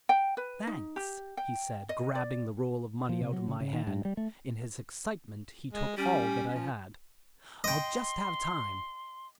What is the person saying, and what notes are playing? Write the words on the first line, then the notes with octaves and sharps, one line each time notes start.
"Thanks," he said grabbing the roll of money out of my hand,--in his excitement he took all that I had.--"I'll just have time."
G5
B4
D#4
G4
G5
D#5
D5
F3
C3
F#3
C#3
C#3
D#3
G2
G3
A3
G#3
G3 C#4
F3
D#5 G5 C6